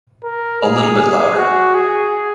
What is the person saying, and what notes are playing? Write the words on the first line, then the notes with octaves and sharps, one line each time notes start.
A little bit louder.
A#4
G#4
G#4
F#4
G#4